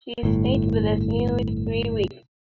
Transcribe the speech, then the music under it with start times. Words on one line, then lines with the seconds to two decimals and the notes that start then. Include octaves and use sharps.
She stayed with us nearly three weeks.
0.23 G1 A2